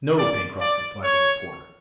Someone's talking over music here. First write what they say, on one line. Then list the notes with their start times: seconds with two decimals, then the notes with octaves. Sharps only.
"No, Pencroft," replied the reporter.
0.18 D5
0.61 D5
1.04 C#5